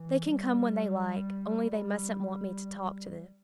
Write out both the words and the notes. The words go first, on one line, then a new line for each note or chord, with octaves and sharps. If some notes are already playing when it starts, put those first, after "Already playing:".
They can come when they like, only they mustn't want me to talk to them.'
Already playing: E3
G3
G3